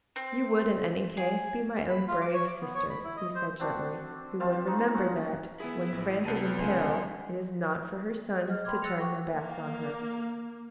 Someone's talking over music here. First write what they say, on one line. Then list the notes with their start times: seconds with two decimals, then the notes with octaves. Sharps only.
"You would in any case be my own brave sister," he said gently, "who would remember that, when France is in peril, it is not for her sons to turn their backs on her."
0.16 C4
1.17 G#4
1.90 B5
2.08 F4
2.21 D6
2.34 C#5
2.48 D6
2.61 B3
2.75 C#5
2.90 B5
3.04 E4
3.17 D#5
3.35 C5
3.60 C4 D4 F#4
4.40 C4 F4 E5 A5
4.66 D#4 F4
4.93 C#4 F#4 F#5
5.60 B3 E4 G#4
5.92 A1
6.25 C2 B3 C4 G#4 A5 D#7
6.60 C#2 G#5 C6
8.45 G#4 D#5 F6
8.64 G5 B5 C6 D6 F6 G#6
8.82 E6 F#6 A6 A#6 C#7 F7
8.99 A4 F#5 G5 C#6 D6
9.32 A#3